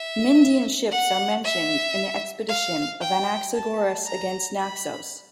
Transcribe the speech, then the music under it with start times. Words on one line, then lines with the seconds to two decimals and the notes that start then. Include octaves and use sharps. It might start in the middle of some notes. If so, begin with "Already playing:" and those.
Myndian ships are mentioned in the expedition of Anaxagoras against Naxos.
Already playing: E5
0.91 F#5
1.44 E5
2.48 F5
3.01 G5
3.54 A5
4.06 A#5
4.58 B5